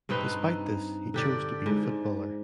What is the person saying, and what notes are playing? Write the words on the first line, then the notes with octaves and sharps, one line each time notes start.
Despite this, he chose to be a footballer.
G2 C4 D#4 B4
D3 G4 D5
G#2